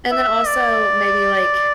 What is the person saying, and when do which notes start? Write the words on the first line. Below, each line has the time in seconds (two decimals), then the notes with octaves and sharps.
and then, also maybe, like,
0.11 E5
0.46 D5